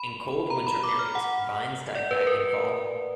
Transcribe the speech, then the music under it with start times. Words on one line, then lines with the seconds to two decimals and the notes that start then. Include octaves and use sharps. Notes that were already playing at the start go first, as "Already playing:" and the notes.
In cold winter areas, vines die back in fall.
Already playing: B5
0.50 A#5
0.67 B5
0.83 D6
0.99 F6
1.15 F#5
1.95 D5
2.11 B4
2.21 B4
2.27 A#4